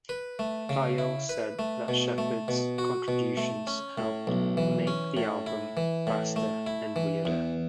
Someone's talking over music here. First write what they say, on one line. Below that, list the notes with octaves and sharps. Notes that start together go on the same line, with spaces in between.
Thayil said that Shepherd's contributions helped make the album "faster" and "weirder".
B4
A3
C#3
E4
B4
A3
B2
A3
B2
F#4
B2
A3
C#4
A2
B1
E3
C#4
A2
E4
E3
A2
A3
E4
E3
E2